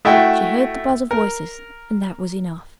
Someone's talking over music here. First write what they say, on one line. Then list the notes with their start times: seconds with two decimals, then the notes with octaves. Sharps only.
She heard the buzz of voices; and that was enough.
0.05 A3 E4 F#4 E5 G5
1.11 A#4